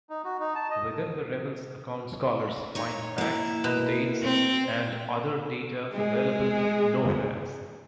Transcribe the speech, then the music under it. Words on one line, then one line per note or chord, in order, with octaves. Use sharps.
Within the revels accounts scholars find facts, dates, and other data available nowhere else.
D#4
F#4
D#4
A5
D#5
D#4 C#5
A#3 E4
B2
C4
G#3 G#4